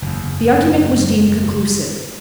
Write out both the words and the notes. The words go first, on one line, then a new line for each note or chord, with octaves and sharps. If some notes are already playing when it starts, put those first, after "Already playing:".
The argument was deemed conclusive.
F#1 E2